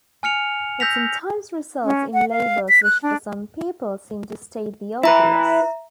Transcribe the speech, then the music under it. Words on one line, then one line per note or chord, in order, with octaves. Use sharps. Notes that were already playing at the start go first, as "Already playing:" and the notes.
That sometimes results in labels which for some people seem to state the obvious.
G#5 F6 C#7 F7
E6 G6 A#6 B6 F7
C#4
F#5
F5
B6
F#6
D4
E4 B4 E5 A#5